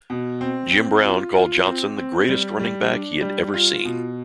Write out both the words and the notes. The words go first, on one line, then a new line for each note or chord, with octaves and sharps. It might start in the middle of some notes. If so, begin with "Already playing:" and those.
Jim Brown called Johnson the greatest running back he had ever seen.
B2
C4
C4
F4
F4
C4
C4
G3
G3
D4
G3
F4
B2